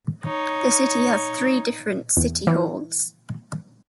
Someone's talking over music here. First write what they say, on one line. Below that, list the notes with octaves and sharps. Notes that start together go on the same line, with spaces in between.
The city has three different City Halls.
D#4 C#5
E2
E3